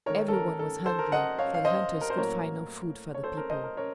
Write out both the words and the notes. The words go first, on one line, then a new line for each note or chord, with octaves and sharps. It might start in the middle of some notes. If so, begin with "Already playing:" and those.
Every one was hungry, for the hunters could find no food for the people.
D#3 A3 D#4 A#4 C#5
A4
A#4
A4
A4 C5
A#4
D#5 F#5
C#5 F5
F5
C5 D#5
A#4
C5
A2 F#3 A#3 A#4 C#5
C#5
A4 C5
A#4
C5 D#5
A#4
A#4 C#5